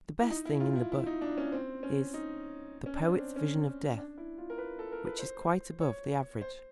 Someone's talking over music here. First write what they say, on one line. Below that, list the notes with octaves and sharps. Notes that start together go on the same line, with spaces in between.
The best thing in the book is The Poet's Vision of Death, which is quite above the average.
E4
D#4
E4
F4
E4
E4
D#4
D4
C#4
C4
C#4
D#4
C#4
D4
C4
C#4
D4
E4
F4
A#4
B4
A4
A#4
B4
C5
C#5
C5